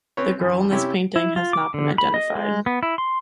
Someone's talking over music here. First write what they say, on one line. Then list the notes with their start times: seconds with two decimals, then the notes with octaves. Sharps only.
The girl in this painting has not been identified.
0.17 C4 C#4 B4 C#5
0.40 F#2 E3
0.71 C3 C#4 E4 G4
1.16 E4
1.36 F4
1.53 D6
1.74 D3
1.98 B5
2.14 D#5
2.35 G#3
2.66 B3
2.83 E4
2.98 C6